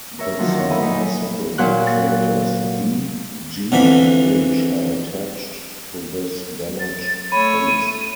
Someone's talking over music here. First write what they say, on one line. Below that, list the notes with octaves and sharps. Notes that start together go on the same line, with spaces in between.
The smaller satellite craters D, G, and H are attached to this damaged face.
A#4 C#5 E5
D3 D#3 F3 F#3 A#3
A#4 C#5
D#5 E5 G#5 A#5 B5
D#4
A#2 F#3 F#6
F2 D3 E3 B5
A6
A3 C#5 B5 D#7